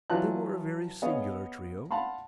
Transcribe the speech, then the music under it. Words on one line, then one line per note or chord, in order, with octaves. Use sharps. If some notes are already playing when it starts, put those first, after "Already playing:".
They were a very singular trio.
E3 F#3 F4 B4 A5 F#6
B3 G#4 C#5 D#5 F5
F5 F#5 A5 B5 C6